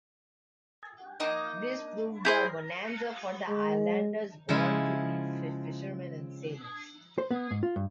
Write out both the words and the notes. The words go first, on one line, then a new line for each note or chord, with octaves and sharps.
This proved a bonanza for the islanders, born to be fishermen and sailors.
A#3 D#4 D#5
E4 G#4 C5 G6
G#3
C#3 F3 G#3 E4
C5
B3
G#2
F4
G2